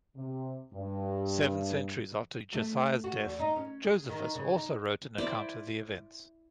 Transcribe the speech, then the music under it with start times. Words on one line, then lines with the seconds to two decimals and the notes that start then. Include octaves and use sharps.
Seven centuries after Josiah's death, Josephus also wrote an account of the events.
0.16 C3
0.73 G2
2.54 A3
3.04 F#4
3.23 E2
3.39 D#4
3.56 C#4
3.85 G#4
4.09 D#3
4.35 C#3
4.55 D#4
5.18 E4 C5 D5